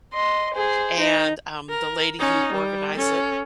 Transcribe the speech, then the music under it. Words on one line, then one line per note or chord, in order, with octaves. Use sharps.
and, um, the lady who organized it
D#5 C6
G#4 C5
D#4
A#4
C#4 D#4
G3
C#4 A4